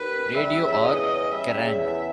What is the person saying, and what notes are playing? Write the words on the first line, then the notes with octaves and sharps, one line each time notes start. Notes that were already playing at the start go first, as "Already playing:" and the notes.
Radio or Kerrang!
Already playing: D#2 B4
C#4
G3 E5
C#3
E2 D#5
C#4
G3 E5
C#3
E2